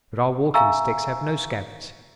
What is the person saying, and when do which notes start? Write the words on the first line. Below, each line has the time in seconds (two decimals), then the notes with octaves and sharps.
But our walking-sticks have no scabbards.
0.54 E5 F5 G#5 A#5 C#6 E6